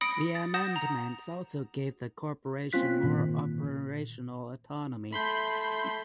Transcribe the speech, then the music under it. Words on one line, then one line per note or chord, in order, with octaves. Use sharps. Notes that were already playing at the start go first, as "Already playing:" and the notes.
The amendments also gave the corporation more operational autonomy.
B5 D#6 A#6 C#7 D7
A6
F#5 D#6 G6 A#6 E7
A#5
A#3 C4 C#4 F4 F#6 B6
A#2 D#3 A#3
A3 B5 C6 G6